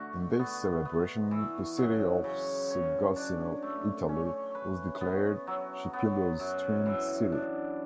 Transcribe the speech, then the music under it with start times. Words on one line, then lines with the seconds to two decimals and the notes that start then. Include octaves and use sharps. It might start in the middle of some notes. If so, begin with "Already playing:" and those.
In this celebration the city of Segusino, Italy, was declared Chipilo's Twin city.
Already playing: D3 A3 F#4
0.39 B3
0.85 B3
1.31 E3
1.78 F#2
2.24 C#3
2.70 C#5
3.16 D4
3.62 A3
4.09 C#4
4.55 B4
5.01 B3
5.47 F#3
5.93 B3
6.40 F#2
6.86 E3
7.32 D4